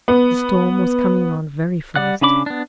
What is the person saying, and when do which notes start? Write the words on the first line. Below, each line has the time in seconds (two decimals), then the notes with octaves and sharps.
The storm was coming on very fast.
0.08 B3
1.96 G3 D5 F#5 F#6
2.21 C#3 C#4 D4 B5 D6
2.46 B3 D4